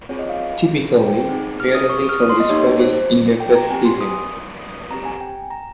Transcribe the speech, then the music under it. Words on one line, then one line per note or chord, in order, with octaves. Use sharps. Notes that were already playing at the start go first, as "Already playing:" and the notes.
Typically, very little is produced in the first season.
C4 F4 G#4 C#5
D#5
F5
G5
C4 D#4 G#4
F6
D#6
C#6
D#6
F6
D#6
C6
D#5
A#3 D#4 G4 C#5
C5
G5
A#5
C4 G4 G#5
C6
D#6
D#6
C4 G4 A#5
G#5
G5
A#5